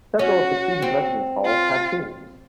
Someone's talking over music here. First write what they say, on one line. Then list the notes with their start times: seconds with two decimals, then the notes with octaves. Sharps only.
Several of the student residence halls have themes.
0.19 C#4 F#4
0.82 C4
1.45 F4